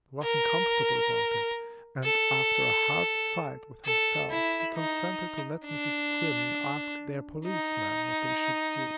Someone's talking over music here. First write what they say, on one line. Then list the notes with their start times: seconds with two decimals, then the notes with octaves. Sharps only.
But he wasn't comfortable about it; and after a hard fight with himself he consented to let Mrs. Quinn ask their policeman what they should do.
0.23 A#4
2.04 A4
3.85 A4
4.30 E4
4.75 D#4
5.65 D4
7.46 D#4